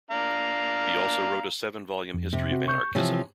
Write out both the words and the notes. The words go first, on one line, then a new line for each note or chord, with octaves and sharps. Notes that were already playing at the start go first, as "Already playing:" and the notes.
He also wrote a seven volume history of anarchism.
D4 F5 A#5
F2
C3
C4 F#4
C#6 G6
C3 E3 F3 C#5